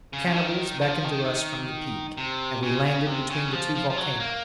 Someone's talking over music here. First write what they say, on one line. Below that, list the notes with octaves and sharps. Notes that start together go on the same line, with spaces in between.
The cannibals beckoned to us from the peak, and we landed between the two volcanoes.
C#3
C#3
D#3
F3
D#3
C3
C#3
C#3
C3
C#3
F#3
F3
F3
F3
F#3
A#3